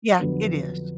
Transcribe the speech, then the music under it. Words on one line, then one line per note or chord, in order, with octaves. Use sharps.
Yeah, it is.
F2 D3 F#3 B3